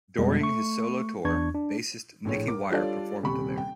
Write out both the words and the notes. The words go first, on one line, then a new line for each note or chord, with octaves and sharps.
During his solo tour, bassist Nicky Wire performed there.
F2 B2 G3 G#3
A3 C#6
E2 D4 C#6 G#6
D4
A#1 A2 G#4 C#5
A#4 D6
G3 D4 F4 A4 C#5 D5
D#1 C3 G3 B5 C#6
G5